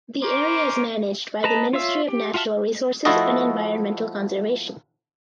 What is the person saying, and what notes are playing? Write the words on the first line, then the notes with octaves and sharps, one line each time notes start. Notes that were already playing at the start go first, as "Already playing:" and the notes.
The area is managed by the Ministry of Natural Resources and Environmental Conservation.
C#4 A#4 C5 D6
B4 D#5 A5 A#5
F4 C#5 E5 F5 E6
G4
F4 F#4 E5 A5 F6
F3 A3 E4 F#4 A4 D#5